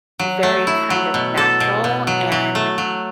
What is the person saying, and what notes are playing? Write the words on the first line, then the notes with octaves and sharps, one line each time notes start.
very kind of natural, and
F#3
A3
E4
F#3
B2
A4
B2
B2
F#3
F#3
A3
F#3